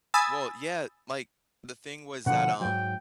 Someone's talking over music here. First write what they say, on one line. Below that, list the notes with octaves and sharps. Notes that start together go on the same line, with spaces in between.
Well, yeah, like, the thing was that, um
G#5 B5 D#6 E6 A6
B2 D3 F3 F#5
G#2 F#3 G5